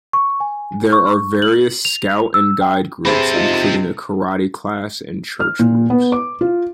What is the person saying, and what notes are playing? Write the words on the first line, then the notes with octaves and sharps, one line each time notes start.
There are various Scout and Guide groups including a karate class and church groups.
C#6
G#5
C#6
F#7
F7
E6
G5
C3 C4 G#4 A4 C5 E5 B5
D#4 F4 C#7
F6
A#2
B3
D6
F4